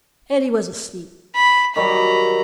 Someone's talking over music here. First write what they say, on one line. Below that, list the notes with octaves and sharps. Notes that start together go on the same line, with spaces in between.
Elly was asleep.
B5
D#3 F#3 G3 A#5 B5